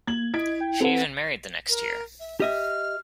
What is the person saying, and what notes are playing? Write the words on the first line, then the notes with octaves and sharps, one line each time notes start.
She even married the next year.
A#3 G#6 F#7
E4 D#5 G#6 B6 D7
G5
C4 A4 B4 F#5
A#4
E5
G4 D#5 E5 F6